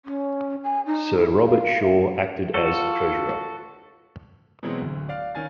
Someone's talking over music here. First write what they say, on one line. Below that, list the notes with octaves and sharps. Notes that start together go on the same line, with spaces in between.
Sir Robert Shaw acted as treasurer.
C#4
G#5
D#4
E4
F5
E5
F4 F#4 A4
B2 E3 F#3 G#3 B3 C4
D1 D2
D5 F5
D#3 C#4 F5 G#5 A6